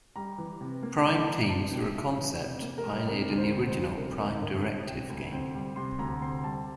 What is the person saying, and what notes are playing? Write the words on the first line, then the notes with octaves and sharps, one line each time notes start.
Prime Teams were a concept pioneered in the original "Prime Directive" game.
G3 A#5
E3
C3
A#3
G3
E3 A#5
C3 A5
A#3 G5
G3 E5
E3
C3
A#3
A#4
G3
C3 A#4
D2
C5
C4
C5
G3
C3 A#4
D2 A#4
C4 A#4
G3 C5
C3 G5
D2
C4 G5
G3
C3 C6
D2 A#5
C4 C6
G3 A5